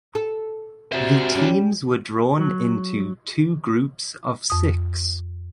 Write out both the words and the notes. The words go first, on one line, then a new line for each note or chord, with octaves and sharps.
The teams were drawn into two groups of six.
A4
C3 D4 F#4 C5 E5
G3 C#4
F#3
F2 D#6